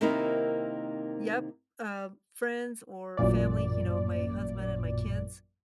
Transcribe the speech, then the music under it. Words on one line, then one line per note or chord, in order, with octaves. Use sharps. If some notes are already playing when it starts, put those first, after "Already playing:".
Yep. Um, friends or family, you know, my husband and my kids
C3 D#3 A#3 C4 D#4 E4
A1 F#2 A#2 D5